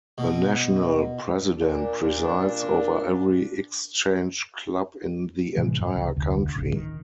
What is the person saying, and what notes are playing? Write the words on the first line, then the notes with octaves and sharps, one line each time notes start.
The national president presides over every Exchange Club in the entire country.
B2
A#2 D4
A2 C3 E3 G#3
F#2
C#2
F1 D2
D1 A#1 C#3
D#3